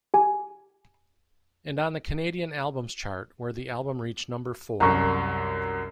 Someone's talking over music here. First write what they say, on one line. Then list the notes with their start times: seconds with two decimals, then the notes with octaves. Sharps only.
And on the Canadian Albums Chart, where the album reached number-four.
0.14 G4 G#5
4.80 C2 F#2 A#5 C#6